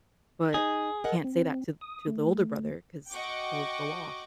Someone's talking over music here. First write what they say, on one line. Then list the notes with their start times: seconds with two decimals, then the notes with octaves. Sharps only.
but can't say that to to the older brother 'cause he'll go off.
0.54 D#4 G#4
1.04 A#4 D#5 F#5
1.24 C4
1.81 D#6
2.07 A3
3.12 F#4 D#5 F#5 G5 C#6 D6